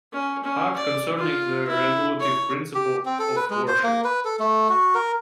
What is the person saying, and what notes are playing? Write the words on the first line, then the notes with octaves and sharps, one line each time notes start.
Hart concerning the regulative principle of worship.
C#4
C#4
D5
F4
E4
C#5
G4
C4
A4
B4
G#3
C5
A#3
B4
A4
A3
F#4
A#4